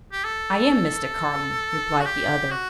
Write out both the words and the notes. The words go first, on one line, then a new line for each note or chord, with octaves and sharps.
"I am Mr. Carling," replied the other.
G4
A4
F#4
G4
F#4